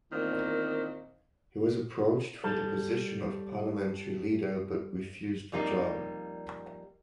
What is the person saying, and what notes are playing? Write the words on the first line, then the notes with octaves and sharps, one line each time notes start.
He was approached for the position of parliamentary leader but refused the job.
E2 A#2 D#3 A#3 C4
G3 A4
F2 G3 A#3 D#4